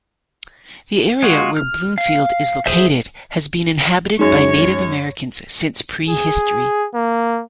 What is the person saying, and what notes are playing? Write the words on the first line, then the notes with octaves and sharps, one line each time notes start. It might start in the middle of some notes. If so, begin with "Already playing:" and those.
The area where Bloomfield is located has been inhabited by Native Americans since prehistory.
G#3 F4 F#4
F6
F5
G#4 C5 E5
F#2 G#3 D#4 G#4 C#5
G#4
A#3